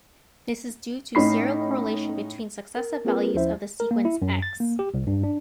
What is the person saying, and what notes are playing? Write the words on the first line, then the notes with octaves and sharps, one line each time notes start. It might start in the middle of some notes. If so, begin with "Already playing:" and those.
This is due to serial correlation between successive values of the sequence "X".
A2 C#4 D#4 B5 C7
A#4
A#3 C4 F4 G#4 A#4 B4
D#2 F3 C#4 E4 C5 E5
A#4
A#3
E4
F#2
A6
A#3
G4
C2
G2
D4